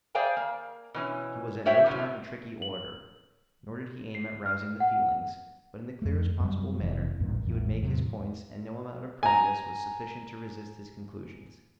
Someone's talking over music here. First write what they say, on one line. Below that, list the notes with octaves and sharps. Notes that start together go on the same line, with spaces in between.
He was at no time a tricky orator, nor did he aim at rousing the feelings, but in the clearest possible manner he would make his points and no amount of prejudice was sufficient to resist his conclusions.
G#4 C5 D5 F5 G5 G#5
A#3
B2 E3 C#4
F#4 C5 C#5 E5 G5
A2 C3 F#3 C#4
F#7
C7
F6
F#5
F2 A3
F#2 G3
F1 E3
A1 E2 G2 A#2
A1 E2
E2 A2 C3 F#3
G#5 A#5